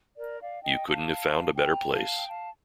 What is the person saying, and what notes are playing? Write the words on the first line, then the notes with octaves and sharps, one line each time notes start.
You couldn't have found a better place.
A#4 D5
D5 F5
D#5 G5
F5 A5
G5 A#5
F5 A5
G5
F5 A5